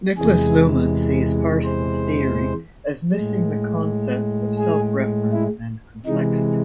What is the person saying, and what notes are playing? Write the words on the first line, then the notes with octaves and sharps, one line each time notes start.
Niklas Luhmann sees Parsons' theory as missing the concepts of self-reference and complexity.
E2 C3 E3 G#3 G#4
C5
A2 G#3
G#4
E4
C3 E3 G#3 D#4